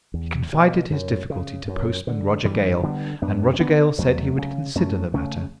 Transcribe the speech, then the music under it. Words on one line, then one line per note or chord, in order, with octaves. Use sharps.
He confided his difficulty to postman Roger Gale, and Roger Gale said he would consider the matter.
E2
B2
F#2
C#3
F#2
D3
G2 E3 G3
D3 G3 B3
F#2 B3 D4
C#4
D3 B3 D4
E2 F#3 A3
C#3
F#2 A3 C#4
C#3 A3 C#4